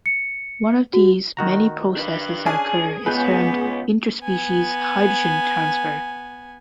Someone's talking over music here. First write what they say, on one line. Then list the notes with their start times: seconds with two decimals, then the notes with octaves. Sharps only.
One of these many processes that occur is termed "interspecies hydrogen transfer".
0.06 C#7
0.93 F#4
1.37 D#3 F#4 A#5
1.97 D4 B4
2.46 C#4 D4 G#4 G#5
3.06 C#2 B3 G#4 B4 G6
4.21 B3 G#5